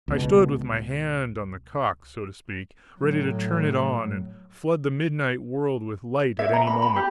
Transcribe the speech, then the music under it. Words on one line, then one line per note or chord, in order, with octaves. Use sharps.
I stood with my hand on the cock, so to speak, ready to turn it on and flood the midnight world with light at any moment.
C#2 B2
A2 F#3
E5
A#5
B5
B5
G4